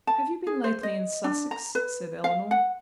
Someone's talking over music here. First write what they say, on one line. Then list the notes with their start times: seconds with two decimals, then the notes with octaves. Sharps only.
"Have you been lately in Sussex?" said Elinor.
0.07 A5
0.47 G#4
0.64 C5
0.83 D#5
1.24 D4
1.51 A#5
1.75 B4
2.24 F5
2.51 F#5